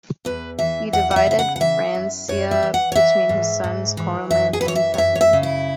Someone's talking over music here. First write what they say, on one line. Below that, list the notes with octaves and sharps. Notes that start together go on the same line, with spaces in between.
He divided Francia between his sons Carloman and Pepin.
E2 B4
E3 E5
E2 F#5
F#5
E5
C#3 E5
F#5
F#5
E3 E5
F#2
F#2 C#5
E5
E3
F#5
C#5
E3 E5
G#2
G#2
E3
F#2 E5
G#4
B4
E3 C#5
E5
C#5
F#2 E5
C#5
E5
C#3
E4